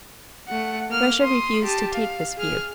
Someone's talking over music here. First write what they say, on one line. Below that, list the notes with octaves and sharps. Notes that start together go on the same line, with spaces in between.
Russia refused to take this view.
A3 F#5
A#3 F6
C6 D#6
G4 A5
F5
G#4 F6